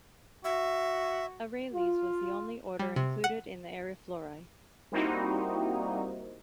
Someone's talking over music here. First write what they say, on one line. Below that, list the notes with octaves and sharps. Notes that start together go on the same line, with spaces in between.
Arales was the only order included in the Ariflorae.
F#4 E5
F4
G3
C3
F#5
G3 A#3 C4 D#4 E4 F#4